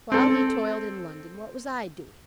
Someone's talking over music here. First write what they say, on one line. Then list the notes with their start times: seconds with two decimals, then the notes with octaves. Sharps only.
While he toiled in London, what was I doing?
0.12 C4 A4